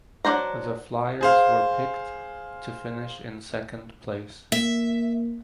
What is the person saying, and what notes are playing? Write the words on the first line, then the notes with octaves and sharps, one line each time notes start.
The Flyers were picked to finish in second place.
F#3 D4 C5 A#5
G#4 C5 F5
A#3 E5